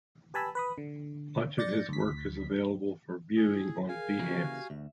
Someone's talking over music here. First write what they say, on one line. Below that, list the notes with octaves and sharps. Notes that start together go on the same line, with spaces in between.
Much of his work is available for viewing on Behance.
G4 B4 G#5 A5 B5 E6
B4 B5 D#6
D3
D5 G6 A6 A#6 C#7
D2 B6
E4 G#4
G#4 A#4 F5 G#5
C#3 E3 A#3 F#4 G4 C#6
D2 E5